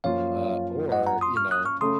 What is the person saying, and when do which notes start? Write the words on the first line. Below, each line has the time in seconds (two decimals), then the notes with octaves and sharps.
uh, or, you know,
0.04 F#2 F3 A#3 F4 C#5 F5
0.92 D#5 F#5
1.07 F#5 A#5
1.21 C6 D#6
1.36 C#6 F6
1.51 D#6 F#6
1.66 C#6 F6
1.81 C#3 A3 C#4 A4 C6 D#6